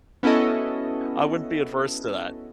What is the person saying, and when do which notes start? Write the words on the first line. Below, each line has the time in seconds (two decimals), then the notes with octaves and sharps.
I wouldn't be adverse to that.
0.23 B3 C#4 E4 F#4 A4 D#5